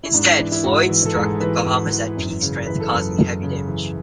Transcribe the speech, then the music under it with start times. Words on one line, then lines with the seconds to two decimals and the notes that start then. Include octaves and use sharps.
Instead, Floyd struck The Bahamas at peak strength, causing heavy damage.
0.03 E4
0.13 G#2 D4
0.26 E4
0.39 E3 D4
0.52 E4
0.64 G#2 F#4
0.89 E3
1.06 A4
1.15 G#2 G#4
1.40 E3 B4
1.66 G#2
1.91 E3
2.17 F#2
2.42 C#3
2.67 E3 B4
2.80 A4
2.92 F#2 B4
3.18 F#2
3.43 C#3
3.68 E3